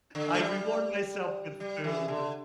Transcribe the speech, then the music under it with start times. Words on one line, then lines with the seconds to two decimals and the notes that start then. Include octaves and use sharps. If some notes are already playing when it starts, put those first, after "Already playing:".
I reward myself with food,
0.15 D3
0.34 A3
0.39 G3
1.60 G3
1.84 E3
2.08 D3